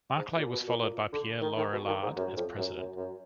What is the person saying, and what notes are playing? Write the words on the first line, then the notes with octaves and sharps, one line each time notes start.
Maclay was followed by Pierre Lorillard as president.
G#2
A#2
B2
A#2
A#2
D3
D#3
D#3
B2
D#3
G#2
F#2
F2
F#2
F#2
F#2